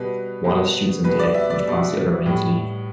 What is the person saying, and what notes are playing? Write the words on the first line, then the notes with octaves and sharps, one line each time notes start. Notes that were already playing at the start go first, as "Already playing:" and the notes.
Wallace shoots him dead, which prompts the other men to leave.
Already playing: B2 G3 B4
B2 G3
B2 G3 B4
D5
E5
D5
B2 G3
A2 G3